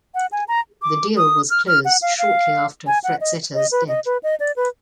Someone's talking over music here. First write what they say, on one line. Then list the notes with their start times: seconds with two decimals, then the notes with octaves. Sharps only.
The deal was closed shortly after Frazetta's death.
0.15 F#5
0.32 G#5
0.48 A#5
0.82 D6
1.17 D#6
1.50 F6
1.68 F6
1.85 F#5
2.02 F5
2.19 F5
2.87 G#5
3.04 F#5
3.21 D#5
3.55 D#5
3.71 B4
3.88 D#5
4.06 B4
4.23 D#5
4.40 D5
4.56 B4